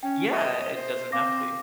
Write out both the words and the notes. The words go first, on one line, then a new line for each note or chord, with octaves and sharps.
Yeah, it doesn't have to be.
C#4 G5
D#5 E5
C5
C4 F5 D6 A#6